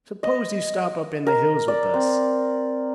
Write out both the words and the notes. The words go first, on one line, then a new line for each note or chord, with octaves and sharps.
S'pose you stop up in the hills with us.
D#5
A#4
D5
C4